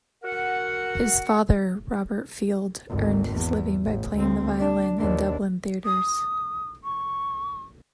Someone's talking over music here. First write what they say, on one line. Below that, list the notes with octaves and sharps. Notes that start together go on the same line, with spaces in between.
His father, Robert Field, earned his living by playing the violin in Dublin theatres.
F#4 A#4 F#5
G#1 D2
E2
A1
D2 C4
D4
D#2 D4
D#6
C#6